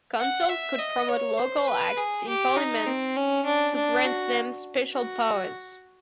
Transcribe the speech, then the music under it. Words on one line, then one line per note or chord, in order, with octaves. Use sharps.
Councils could promote Local Acts in Parliament to grant them special powers.
F#5
E5
D#5
C#5
C5
B4
G#4
G4
D#4
C4
C#4
D4
D4
F#4
F#4